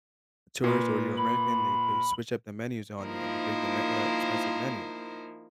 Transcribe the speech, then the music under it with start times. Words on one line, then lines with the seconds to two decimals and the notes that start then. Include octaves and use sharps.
a tourist or you're American, they they switch up the menus on you and they bring the me uh, expensive menu. You
0.64 A#2 B4
1.17 B5
3.01 F3 A#3 D#4 E4 A#4 C5